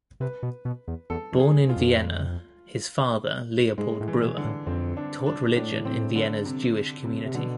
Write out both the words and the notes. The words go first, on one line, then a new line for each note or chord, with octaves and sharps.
Born in Vienna, his father, Leopold Breuer, taught religion in Vienna's Jewish community.
C3 B4
B2
B2
E2
E2 A4
F2
G#4
F4
F2
G#2 G#3
A2
E3
B2
D3
A2
F2 C4
D4
D4
A2 D4
C4
D3
C3
C3
C3
B2 D3